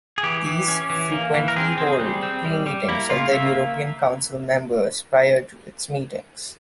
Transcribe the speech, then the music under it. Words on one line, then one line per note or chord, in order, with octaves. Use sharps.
These frequently hold pre-meetings of their European Council members, prior to its meetings.
G#4
E3 G4
E3
C#4
E3
A#3
E3
A#4
C4 G#4
C4
G3
C4
G3
G3
A#3 E4
C#3 F4
A#3 E5